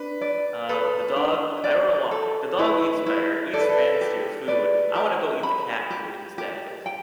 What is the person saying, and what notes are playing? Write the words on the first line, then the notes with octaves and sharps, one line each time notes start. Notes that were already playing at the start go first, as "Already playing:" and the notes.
Uh, the dog, I don't know why. The dog eats better, eats fancier food. I wanna go eat the cat food instead.
Already playing: D4 B4
D5
A4 B4
D4
D5
A4
E4 B4
E4
A4 D5
B4
A4
G4
B4 D5
G4
B5
G4
G4
G5